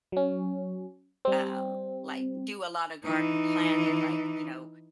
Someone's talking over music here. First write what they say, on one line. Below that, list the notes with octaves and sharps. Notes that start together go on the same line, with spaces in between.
um, like, do a lotta garden planning, like, you know,
F#3 C#4
G3 C4
E3 D#4